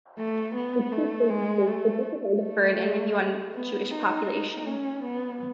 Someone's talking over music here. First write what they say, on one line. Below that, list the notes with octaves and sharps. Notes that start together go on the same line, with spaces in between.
The two censuses significantly differed in the view on Jewish population.
A3
B3
A3
G#3
A3
A3
B3
D#4
D#4
C#4
B3